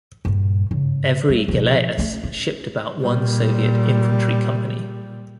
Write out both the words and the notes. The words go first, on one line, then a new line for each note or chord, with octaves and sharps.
Every galeas shipped about one Soviet infantry company.
G2 A#2
G#2 C#3
G3
B2 F3
A3 C#4
C#4
A#2 G3